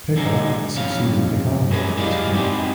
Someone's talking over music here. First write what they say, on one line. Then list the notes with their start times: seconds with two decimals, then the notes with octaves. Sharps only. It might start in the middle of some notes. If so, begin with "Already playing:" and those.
Pekah succeeded Pekahiah as king.
0.16 F#2 D3 G#3 D#4
0.76 F2 C#4 F5
1.71 G#3 C#4 G#4 A#4 B4
1.97 E4 G4 G#4 D5 D#5 F5
2.33 G#3 B3 C4 D#4 E4 G4